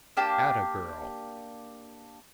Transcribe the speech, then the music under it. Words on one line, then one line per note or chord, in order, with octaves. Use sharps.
Atta girl!
A#3 D4 G4 A5